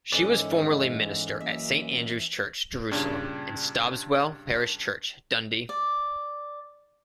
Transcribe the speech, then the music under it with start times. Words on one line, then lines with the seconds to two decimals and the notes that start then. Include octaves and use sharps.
She was formerly minister at Saint Andrew's Church, Jerusalem and Stobswell Parish Church, Dundee.
0.12 G#2 E3 C#4 A4 B4 D5 D#5 G#5
1.41 F#2 A#3 D#5 E5
2.92 G2 A#2 C#3
5.69 D5